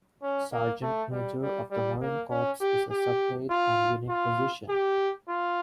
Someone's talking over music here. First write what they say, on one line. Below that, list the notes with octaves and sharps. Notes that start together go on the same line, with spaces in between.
Sergeant Major of the Marine Corps is a separate and unique position.
C#4
A#3
A3
G3
G3
G3
A#3
C#4
G4
G4
F4
F4
G4
F4